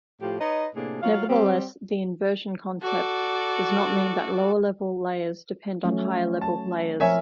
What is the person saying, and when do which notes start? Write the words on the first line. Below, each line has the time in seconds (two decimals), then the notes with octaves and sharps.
Nevertheless, the "inversion" concept does not mean that lower-level layers depend on higher-level layers.
0.21 A2 F3 F4 G4
0.40 D#4 B4 C#5 D#5
0.75 A2 C3 A#3 D4 G#4
1.02 F#3 F4 F5
1.28 G3 C4
2.81 F#4 A4 D5
5.84 F#3 A3 C#4
6.41 A5
7.00 F3 C4 A#4 C#5 E5 G#5